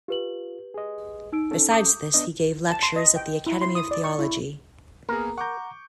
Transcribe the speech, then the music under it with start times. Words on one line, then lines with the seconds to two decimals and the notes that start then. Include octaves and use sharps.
Besides this he gave lectures at the academy of theology.
0.08 F4 G4 B4 F#7
0.74 G#4 D#5
1.33 D#4 E6 D7
1.51 C#4 A4
1.71 D6 D#6 G6
2.14 B3 D4 D#5
2.71 A5
2.83 C6
2.96 D#5
3.16 G5
3.46 E4
3.62 C6
3.75 D#6
3.91 D5
4.04 C#6
4.19 E4
5.09 A#3 B3 G#4 A#4
5.38 F#5 A#5 C#6 D6 G6